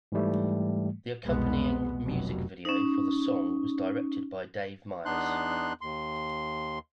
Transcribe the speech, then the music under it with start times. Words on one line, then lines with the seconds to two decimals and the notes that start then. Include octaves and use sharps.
The accompanying music video for the song was directed by Dave Meyers.
0.12 G#2 E3 G3 A3
1.25 F1 C2 B2 G#3 B3
2.04 F1 F#2 B2 F#3
2.65 C#4 D#4
5.05 E2 B3 D4 D#4 C6 F#6
5.81 D#2 C6